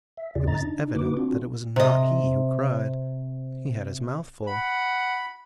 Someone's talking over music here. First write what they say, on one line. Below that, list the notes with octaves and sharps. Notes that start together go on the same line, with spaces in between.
It was evident that it was not he who cried. He had his mouth full.
E5
E2 C#3 F4 G#4 D5
F2 D3 C#4 D#5 A#5 A6
D4 D#4
D3 A#3 D#4 F#4 B4 D6
C4 D4 F4 F#4
C3 D#5
F#5 B5